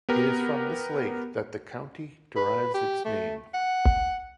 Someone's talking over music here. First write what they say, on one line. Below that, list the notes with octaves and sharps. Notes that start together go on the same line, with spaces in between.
It is from this lake that the county derives its name.
B3 G4 A#4
B4
G4
A3
F#5